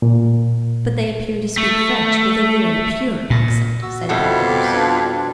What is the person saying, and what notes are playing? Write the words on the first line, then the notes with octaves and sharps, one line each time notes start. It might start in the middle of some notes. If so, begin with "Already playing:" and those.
"But they appear to speak French with a very pure accent," said Danglars.
A#2
A3
A#2
F#4 E6
F2 B2 G3 B3 E4 A4 F#5
D6
D4 F4 B4 D5
D4